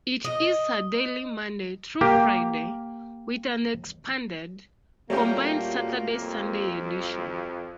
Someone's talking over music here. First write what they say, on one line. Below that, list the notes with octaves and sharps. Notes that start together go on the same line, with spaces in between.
It is a daily Monday through Friday, with an expanded, combined Saturday-Sunday edition.
D#5
A#3 G4
A#2 G3 A3 A#3 C#4 F#4 G4
F2